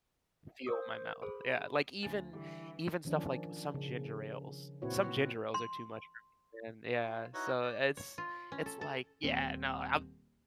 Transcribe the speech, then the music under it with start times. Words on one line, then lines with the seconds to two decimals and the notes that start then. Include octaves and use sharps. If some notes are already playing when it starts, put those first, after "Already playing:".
feel my mouth." Yeah, like even even stuff, like, some ginger ales some ginger ales are too much for me, and yeah, so it's it's like, yeah, no, I'm
0.67 A#4 C5 C#6 D#6
1.22 G#4 A4 C5 B5
2.03 D2 G#5 A6
2.33 D3 E3 G3 G4
3.05 D#3 F3 C#4 D4
3.74 C#3
4.82 A#2 C4 E4 F#4 B4 C#5
5.54 C6
6.94 F4
7.34 D#4 E4 F#4 B4 C#5 D#5
7.62 D5
7.97 C#5
8.18 F4
8.52 C#4
8.66 A4
8.81 A4
9.23 D#1 C4